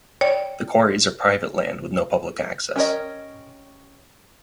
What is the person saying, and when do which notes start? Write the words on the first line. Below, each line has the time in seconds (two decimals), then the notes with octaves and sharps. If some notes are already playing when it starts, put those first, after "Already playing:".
The quarries are private land with no public access.
0.21 C#5 D5 G5
2.76 C#4 G4 A#4 C#5 D#5